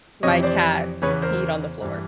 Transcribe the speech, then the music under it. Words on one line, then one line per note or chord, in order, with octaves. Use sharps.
my cat peed on the floor.
F2 C3 E3 C#5 D#5
C5 D5
E2 C#3 E3 B4 C#5
A#4 C5
G2 E3